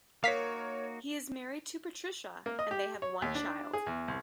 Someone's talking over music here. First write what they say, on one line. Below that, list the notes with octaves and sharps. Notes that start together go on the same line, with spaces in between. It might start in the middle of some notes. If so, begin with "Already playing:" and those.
He is married to Patricia and they have one child.
A#3 D#4 F#4 A#4 C#5 F5 B6
A#3
D#5
G4
C#5
D#2
D4
G#4
E2
C2